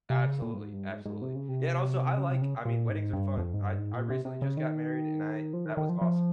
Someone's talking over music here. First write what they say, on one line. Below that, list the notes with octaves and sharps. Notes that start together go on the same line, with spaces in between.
Absolutely, absolutely. Yeah, and also, I, like, I mean, weddings are fun. I I recently just got married and I that was awesome.
C3
C#3
A#2
G2
G#2
G2
G#2
G#2
C3
C#3
C3
C#3
C3
C#3
A#2
G#2
G2
F2
G#2
G2
G#2
A#2
C3
C3
C#3
D#3
F3
D#3
D#3
F3
F3